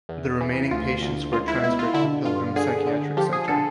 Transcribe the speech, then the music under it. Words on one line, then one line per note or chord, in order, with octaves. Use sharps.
The remaining patients were transferred to Pilgrim Psychiatric Center.
E2
E3
D2 F4
D2
C#2 F4
E4
B2 E4
F4
D3 E4
G2 F4
D3 G#4
D3
F3 G4
G#4
D3 A4